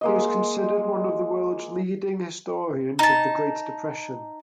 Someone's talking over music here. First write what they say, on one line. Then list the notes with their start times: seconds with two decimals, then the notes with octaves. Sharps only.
He is considered one of the world's leading historians of the Great Depression.
0.01 G#3 A#3 D#5
2.99 D#4 A5